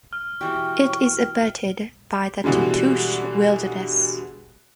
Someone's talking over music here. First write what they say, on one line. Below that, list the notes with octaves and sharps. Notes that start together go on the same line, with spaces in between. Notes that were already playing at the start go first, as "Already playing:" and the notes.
It is abutted by the Tatoosh Wilderness.
F6
B2 E3 G4 G5 C#6
B2 D3 E3 G3 G#3